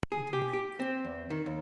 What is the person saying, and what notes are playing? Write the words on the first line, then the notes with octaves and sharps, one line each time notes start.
Peter Meienberg.
G#4
G4
G4
C4
E2
D#3
D#2